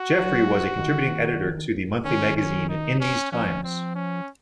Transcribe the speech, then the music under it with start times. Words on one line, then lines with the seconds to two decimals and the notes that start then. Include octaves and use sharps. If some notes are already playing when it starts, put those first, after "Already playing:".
Jeffrey was a contributing editor to the monthly magazine "In These Times".
Already playing: F#4
0.15 F#3
0.78 D#3
2.04 D#3 C#4
2.36 C#4
2.69 D#4
3.00 C#4
3.32 F3 C#4
3.64 C4
3.95 C#4